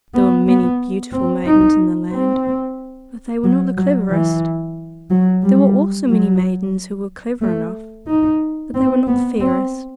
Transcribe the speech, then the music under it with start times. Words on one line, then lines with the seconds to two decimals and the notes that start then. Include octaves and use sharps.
There were many beautiful maidens in the land, but they were not the cleverest. There were also many maidens who were clever enough, but they were not the fairest.
0.14 B3
0.47 B3
1.12 C4
1.46 D#4
2.13 C4
3.44 F#3
3.77 F#3
4.10 E3
5.10 F#3
5.42 G3
6.09 F#3
7.41 A3
8.07 D#4
8.74 C4
9.07 B3
9.40 C4